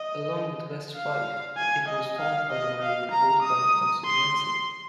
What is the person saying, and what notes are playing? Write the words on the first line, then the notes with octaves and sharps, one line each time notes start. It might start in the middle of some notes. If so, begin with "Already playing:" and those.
Along with West Fife, it was formed by dividing the old Fife constituency.
Already playing: D#5
F5
G#5
D#5
F5
D#5
F5
A#5
D#6
C6